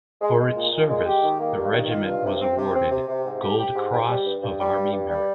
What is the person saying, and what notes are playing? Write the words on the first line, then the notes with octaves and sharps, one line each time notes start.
For its service the regiment was awarded Gold Cross of Army Merit.
G#3
G#3
A#2
A#2
G#3
G4
D#3
A#3
G2
D#3
F4
G2
C3
C4
C3
C4
C3
C3
G#2
G4
G4
G#2
G4
G3
G2
G2
G3
G2
G2
G3